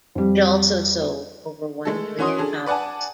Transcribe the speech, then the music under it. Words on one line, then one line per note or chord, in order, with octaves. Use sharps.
It also sold over one million copies.
F2 G3
G#3 A3 A4
E3 C#4 F#4 C6 D#6
D4 G#4 A4
B4 D5 F#5 G#5 A5